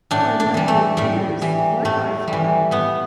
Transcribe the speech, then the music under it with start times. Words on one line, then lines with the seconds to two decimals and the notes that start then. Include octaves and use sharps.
For a number of years, What Hi-Fi?
0.11 A2 D4
0.40 D4
0.54 E3 G3
0.68 A3
0.97 A2 G3
1.42 E3 G3
1.85 A2 A3
2.28 G3
2.33 E3
2.71 A2 B3